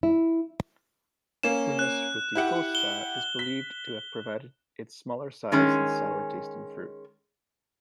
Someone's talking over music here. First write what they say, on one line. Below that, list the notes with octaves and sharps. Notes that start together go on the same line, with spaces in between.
"Prunus fruticosa" is believed to have provided its smaller size and sour tasting fruit.
E4
A#3 C#4 E7
F#6
E4 G4 F#5
G7
B6
D#3 G#3 C#4